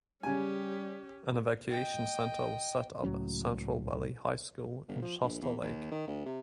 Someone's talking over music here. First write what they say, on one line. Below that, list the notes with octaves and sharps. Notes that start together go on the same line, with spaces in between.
An evacuation center was set up at Central Valley High School in Shasta Lake.
C#3 G3 C#4 G4 G#5
D#5 G5
C#2 A2 F#3 C#4
G1
F3
A#1
E2
D#2
D#3
D2
C3